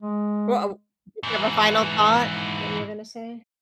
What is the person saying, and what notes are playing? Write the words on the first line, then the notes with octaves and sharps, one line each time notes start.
Well, uh did you have a final thought that you were gonna say?
G#3
G#2 E3